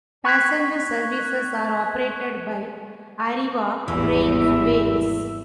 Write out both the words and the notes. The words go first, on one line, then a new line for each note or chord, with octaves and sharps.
Passenger services are operated by Arriva Trains Wales.
C#6 F#6 G#6 B6
G#1 E2 E3 G3 E5